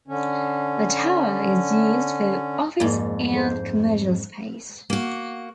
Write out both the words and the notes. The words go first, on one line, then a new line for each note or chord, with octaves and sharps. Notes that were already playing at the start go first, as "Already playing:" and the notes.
The tower is used for office and commercial space.
D3 C#4
F2 G#2 G#3 A#3 D5
G#3 A4 C5
A#3 F#4